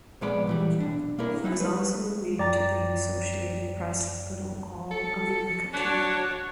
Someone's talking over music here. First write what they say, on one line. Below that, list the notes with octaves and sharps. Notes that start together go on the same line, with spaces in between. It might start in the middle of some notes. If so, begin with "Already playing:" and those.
He was also named to the Associated Press "Little All-America" team.
A#2 F3 G#3 B3 D5 B5
A#2 E3 G3
B1 D4
A#3 D4 E4 A#4
F#3 D#4 E4
G3 B4
F#2 D5 G5 A#5 A6
A4 C#7
D4 F#4 C#5 F#6